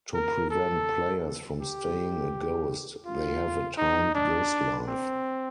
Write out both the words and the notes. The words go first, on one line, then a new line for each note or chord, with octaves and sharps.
To prevent players from staying a ghost, they have a timed ghost life.
A#4
A4
G4
F4
D#4
D4
C4